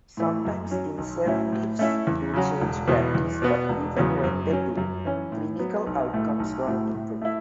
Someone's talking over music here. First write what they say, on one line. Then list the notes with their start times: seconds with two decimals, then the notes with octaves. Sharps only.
Sometimes incentives do change practice, but even when they do, clinical outcomes don't improve.
0.17 A2 E3 A3
0.45 F#2
0.71 F#3 C#4
0.98 B1
1.26 A2 F#3 C#4 E4
1.52 A2
1.79 A3 C#4 E4
2.07 E2
2.33 C#3 F#3 C#4 F#4
2.62 E1
2.87 E2 B2 B3
3.15 E2
3.42 B2 B3 F#4
3.69 E1
3.97 E2 C#3 F#3 B3
4.24 F#2
4.51 F#3 C#4
4.77 F#2
5.05 E3 C#4
5.32 A2
5.59 F#3 B3
5.87 B1
6.14 A2 A3
6.40 B1
6.67 A2 A3 F#4
6.95 A2
7.22 A3 E4